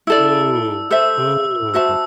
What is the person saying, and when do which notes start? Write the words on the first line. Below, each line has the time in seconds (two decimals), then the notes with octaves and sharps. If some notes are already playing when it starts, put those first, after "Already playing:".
Ooh. Ooh.
0.07 E4 A4 D5 E6
0.90 A4 C5 E5 E6
1.74 F#4 C5 E5 A5 E6